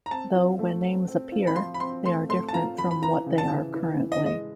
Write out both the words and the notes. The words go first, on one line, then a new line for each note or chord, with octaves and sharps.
Though when names appear, they are different from what they are currently.
A#5
C4 A5
F4
A3
C4
C4
F4
B5
F3 C6
B5
C4 C6
A3 C6
A3 C6
A5
F4 A#5
F3 B5
B5
E3 A#5
C#3
A5
E3
E3
E3
D#5
G#3 D#5